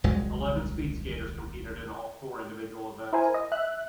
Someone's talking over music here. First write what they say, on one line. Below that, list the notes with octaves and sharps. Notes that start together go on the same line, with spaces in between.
Eleven speed skaters competed in all four individual events.
D#1 C2 F#3 G#3
E4 A#4 C5 G#5
D#5
E5 F#6